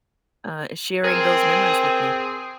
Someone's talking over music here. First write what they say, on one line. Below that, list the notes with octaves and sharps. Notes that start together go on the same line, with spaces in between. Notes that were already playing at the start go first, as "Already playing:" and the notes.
uh, sharing those memories with me.
C4 G#4 A#4 G#6